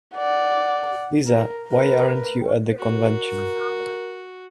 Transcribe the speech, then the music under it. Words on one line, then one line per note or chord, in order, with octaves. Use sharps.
Lisa, why aren't you at the convention?
D5 F#5
A#4
A#4 B4
F#4 A#4